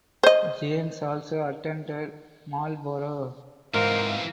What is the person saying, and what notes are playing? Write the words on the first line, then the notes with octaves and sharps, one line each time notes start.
James also attended Marlborough.
C5 D#5
G#2 E3 C4 A#4 F5